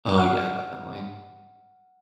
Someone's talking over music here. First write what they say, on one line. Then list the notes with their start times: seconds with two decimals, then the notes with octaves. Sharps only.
Oh, yeah, definitely.
0.18 F#5 F6